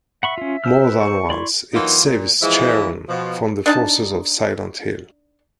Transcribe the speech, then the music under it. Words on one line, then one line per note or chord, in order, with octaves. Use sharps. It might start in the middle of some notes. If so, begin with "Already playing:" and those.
More than once, it saves Sharon from the forces of Silent Hill.
E5 F#5 B5 C#6
C#4 F4
C5 E6 F6
B4
C#6
E4 D5 C6 C#6
E3 F#3 A#3 D#4 F4
A#2
E3 F3 G#3 E4
B2 F3
D4 D#4 A5